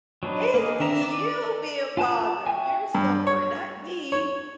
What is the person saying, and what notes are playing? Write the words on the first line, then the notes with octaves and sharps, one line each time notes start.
It's you being bothered. You're suffering, not me.
F#3 C4 D4 D#4 B4
A#3 D#4 G#4
D#3 D4 E5 A#5
D5 D6
F4 G#5 A5 F#6 G6
F#4 E5 G5 G#5
G2
C#5
C#5